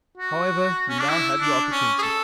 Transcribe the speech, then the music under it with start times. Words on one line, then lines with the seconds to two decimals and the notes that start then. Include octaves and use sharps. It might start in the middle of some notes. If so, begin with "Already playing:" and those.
However, you now have your opportunity.'
0.17 F#4
0.89 C#4
0.99 D4
1.09 E4
1.41 D4
1.72 C#4
1.98 G#4
2.02 A4